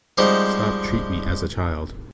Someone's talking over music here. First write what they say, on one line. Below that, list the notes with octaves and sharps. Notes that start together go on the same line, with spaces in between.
Stop treat me as a child.
F3 G3 G#3 C4 D#4 F#4